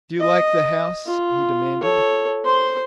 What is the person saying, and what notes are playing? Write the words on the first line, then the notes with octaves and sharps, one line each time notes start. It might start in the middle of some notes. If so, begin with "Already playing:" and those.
"Do you like the house?" he demanded.
D#5
F4
A4 C#5
C5 C6